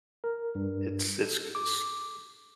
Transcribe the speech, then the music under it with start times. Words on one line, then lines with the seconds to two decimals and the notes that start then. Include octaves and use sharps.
it's it's g it's
0.24 A#4
0.55 G2
1.21 A4
1.55 D6